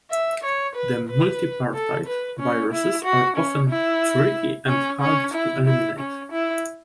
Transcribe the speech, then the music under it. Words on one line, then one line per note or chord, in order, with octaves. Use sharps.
The multipartite viruses are often tricky and hard to eliminate.
E5
C#5
B4
B4
A4
B4
C#4
E4
F#4
C#4
E4
C#4
C#4
E4
E4
C#4
E4